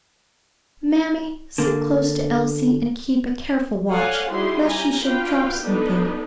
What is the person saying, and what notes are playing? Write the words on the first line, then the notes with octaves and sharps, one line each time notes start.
"Mammy, sit close to Elsie and keep a careful watch, lest she should drop something."
D3 A#3
A4 C#5 D5 F5 F#5 G#5
G3 D#4 E4 F#4 G#4 C6
C#4 G4 G#5 A#5
D4 F4 F#4 B4 F5 G5
B3 D4 D#4 A4 B4